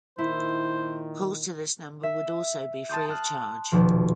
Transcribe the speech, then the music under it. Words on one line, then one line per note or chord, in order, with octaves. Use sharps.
Calls to this number would also be free of charge.
A#2 D#3 E4 C5
E5
A5 C6 D#6 G6
A5 F6 F#6
D#1 B2 F3